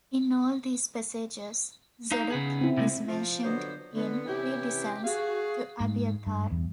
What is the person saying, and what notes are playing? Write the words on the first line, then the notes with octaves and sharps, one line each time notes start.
In all these passages Zadok is mentioned in precedence to Abiathar.
D#4 F5 A#5
C#3 B3 G#4
C4 E4
C3 F3 G#3
F3
D3 F#3 B3 C5 D5 D#5
D3 B3
C3 E3 C#4 E4 G4
F#4 G#4 F5
G#2
G2
E2